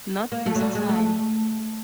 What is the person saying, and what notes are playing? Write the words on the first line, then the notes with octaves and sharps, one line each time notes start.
Not this time.
A#3
A3
F#3
G3
G#3
A3